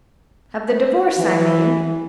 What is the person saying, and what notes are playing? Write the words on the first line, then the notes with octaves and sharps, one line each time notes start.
"Of the divorce, I mean?"
E3